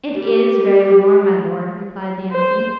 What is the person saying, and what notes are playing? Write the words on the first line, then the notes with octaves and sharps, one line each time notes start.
'It IS very warm, my Lord,' replied the M.C.
G4
C5